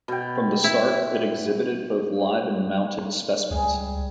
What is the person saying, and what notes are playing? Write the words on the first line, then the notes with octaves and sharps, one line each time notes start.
From the start it exhibited both live and mounted specimens.
B2 G5
E4
C#2 G3 G#4